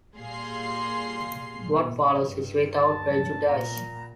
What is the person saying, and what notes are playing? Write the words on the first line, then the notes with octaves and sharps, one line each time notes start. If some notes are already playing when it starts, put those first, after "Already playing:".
What follows is without prejudice.
A#2 G3 G#4 F5 C6 C7
G2
A5
A#2 A#5